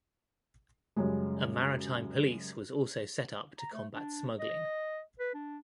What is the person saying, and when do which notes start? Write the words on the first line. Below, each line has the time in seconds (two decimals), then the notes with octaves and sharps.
A Maritime Police was also set up to combat smuggling.
0.96 F#2 C#3 G3 G#3
3.59 A#5
3.73 A3
3.95 D4
4.39 D#5
5.19 B4
5.34 D4